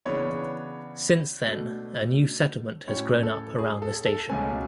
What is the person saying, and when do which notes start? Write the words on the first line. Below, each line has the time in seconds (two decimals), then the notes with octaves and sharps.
Since then, a new settlement has grown up around the station.
0.05 C#3 E3 B3 D4 C#5
1.46 B2 A3 D4
2.87 A2 F#3 C#4 C#5
3.23 A4
3.59 G#4
3.82 A4
4.06 A4
4.29 C#2 B2 F#3 A3 C#4 G#5